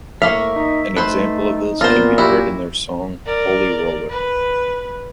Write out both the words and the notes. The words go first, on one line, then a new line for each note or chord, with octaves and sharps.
An example of this can be heard in their song "Holy Roller".
A2 A#3 E5 F5 C#6
D#4
A3 D#4 B4 C5
A#2 B3 F4 A#4 C5
E4 F#4 G4
A#4 D5
B4